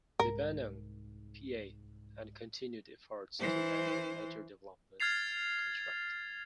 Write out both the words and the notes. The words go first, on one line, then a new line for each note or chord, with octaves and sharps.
Lebanon, Pa., and continued efforts to land a major development contract.
C2 G#2 A#4
E3 C5
F6 G#6 A6 C7 F7